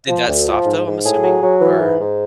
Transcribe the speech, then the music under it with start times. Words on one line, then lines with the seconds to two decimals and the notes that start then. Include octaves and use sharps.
Did that stop, though, I'm assuming? Or...
0.08 F3
0.27 D2
0.47 F3
0.66 G#2
0.85 G#2
1.04 A2 G#4
1.23 F#3
1.42 F#3
1.61 E3
1.80 G#2
1.99 G#2